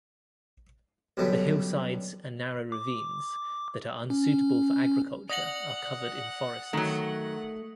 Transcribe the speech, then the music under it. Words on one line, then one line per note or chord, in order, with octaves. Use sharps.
The hillsides and narrow ravines that are unsuitable for agriculture are covered in forests.
F#2 B2 D3 G3
D6
C#4
D5 F#5 D#6 A#6 F#7
D#3 F#3 A3